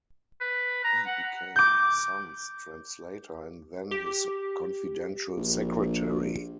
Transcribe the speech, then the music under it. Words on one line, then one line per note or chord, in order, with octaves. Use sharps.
He became Sun's translator and then his confidential secretary.
B4
A#5
F#5
D6 G6
G4
A#1